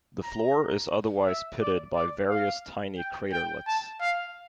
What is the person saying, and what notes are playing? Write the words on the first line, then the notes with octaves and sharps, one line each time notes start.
The floor is otherwise pitted by various tiny craterlets.
A#5
E5
D5
D5
F5
G5
G5
A5
F5